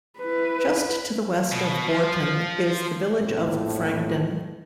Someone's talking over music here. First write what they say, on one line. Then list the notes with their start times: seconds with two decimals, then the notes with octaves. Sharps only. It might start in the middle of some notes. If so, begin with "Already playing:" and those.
Just to the west of Bourton is the village of Frankton.
0.19 E4 B4
1.52 B2
1.87 F3
3.19 A#1 F2 A2